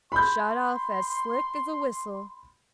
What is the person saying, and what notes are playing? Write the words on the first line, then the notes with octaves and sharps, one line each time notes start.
Shot off as slick as a whistle.
B5 C6 G6